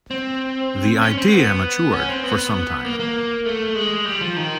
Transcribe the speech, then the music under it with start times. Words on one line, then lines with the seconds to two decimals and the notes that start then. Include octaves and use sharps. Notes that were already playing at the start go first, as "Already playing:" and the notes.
The idea matured for some time.
0.11 C4
1.01 C#4
1.18 C4
1.32 B3
1.93 C#4
2.09 C4
2.24 B3
2.84 A#3
3.00 A#3
3.45 A3
3.75 G#3
4.06 G3
4.21 F3
4.37 D#3